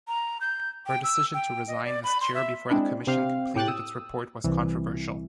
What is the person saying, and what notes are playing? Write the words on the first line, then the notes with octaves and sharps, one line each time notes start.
Her decision to resign as chair before the commission completed its report was controversial.
A#5
G6
G5
E6
G5
D#5
D5
B5
C6
E5
G#3 C4 D4 E4
C3 C4 G4 F5
A2 G4 G5 F#6 A6
D#6 E6
C2 E3